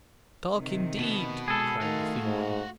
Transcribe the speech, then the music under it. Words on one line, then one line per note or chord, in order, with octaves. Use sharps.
"Talk indeed!" cried the thin one.
C3 D#3
B2 B3
G#3 G#4 A4
D#3 A3 F#4 F5
G#2